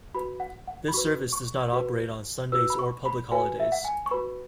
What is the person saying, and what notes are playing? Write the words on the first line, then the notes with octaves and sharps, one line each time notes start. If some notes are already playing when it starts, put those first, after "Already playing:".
This service does not operate on Sundays or public holidays.
F#4 B4 B5
F#5
F#5
B5
F#4 B4 C#6
C#6
F#4 B4
F#4 B4 E6
B5
C#6
B5
F#4 B4 G#5
E5
F#5
G#5
C#6
F#4 B4 B5